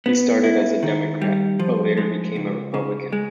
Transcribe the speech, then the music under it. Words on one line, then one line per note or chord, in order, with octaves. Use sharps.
He started as a Democrat, but later became a Republican.
B3
E4
D#3
G3
F3
G#3
C#2
C#3
G#3